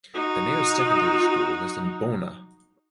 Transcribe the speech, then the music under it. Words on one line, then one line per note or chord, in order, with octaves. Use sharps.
The nearest secondary school is in Boonah.
D#4 F#4